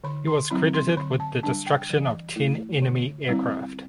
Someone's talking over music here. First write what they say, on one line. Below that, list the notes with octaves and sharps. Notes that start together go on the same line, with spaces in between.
He was credited with the destruction of ten enemy aircraft.
D3 B5
C6
F#3 C4 E4 B5
C6
D3 B5
A5
G3 D4 A5
G5
E3
A3 E4
D3
G3 C4 E4